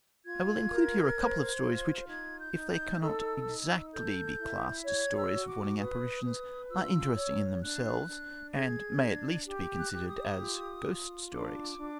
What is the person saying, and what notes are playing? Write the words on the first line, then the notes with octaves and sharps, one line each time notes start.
I will include here a couple of stories which, if they cannot exactly be classed as stories of warning apparitions, are interesting in themselves, and may at least be considered as ghost stories.
F4 G#6
A#4
C5
F4
D#4 G#6
G6
D#4
G6
A4 E6
D#4
A4 G6
E4
C#5 G#6
E6
F#4
D6
B4 D#6
B4
F4 E6
C#5
D4 F#6
D4
G#4 G#6
D4
G4
F#6
G4
D#6
F4
F4
D4 D6
D4